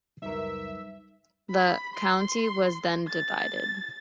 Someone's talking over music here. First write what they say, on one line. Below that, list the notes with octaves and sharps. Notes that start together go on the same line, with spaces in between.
The county was then divided.
C#2 F#2 G3 D#4 A#4 B4 E5
B5
C6
A6